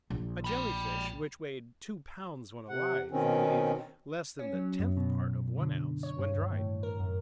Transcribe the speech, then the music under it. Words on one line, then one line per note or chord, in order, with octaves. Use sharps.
A Jelly-fish, which weighed two pounds when alive, would leave less than the tenth part of one ounce when dried!
A#1
G5 B5
C3 F#5
B2 D#3 C4 C#4
C#4
F#3
F#2
B2
D3
C#5
G2
D#2
A2
A#4
F#2